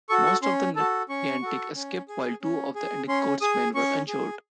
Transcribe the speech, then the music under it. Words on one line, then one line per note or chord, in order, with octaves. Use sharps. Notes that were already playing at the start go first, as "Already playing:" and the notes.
Most of the Niantic escaped, while two of Endecott's men were injured.
F#4 A4 C#6
C#6
C#4 C6
F#4 A4 A5
C#4 C#6
F#4 A4
C#4
G#4
C#4
G#4
C#4 C6
G#4 D#6
C#4 C#6
G#4